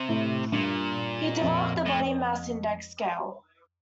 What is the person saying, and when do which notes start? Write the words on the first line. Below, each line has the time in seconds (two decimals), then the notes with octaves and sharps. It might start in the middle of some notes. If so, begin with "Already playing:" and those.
He developed the body mass index scale.
Already playing: C3
0.09 A2
0.52 G2 A#2
1.41 F2
1.86 A2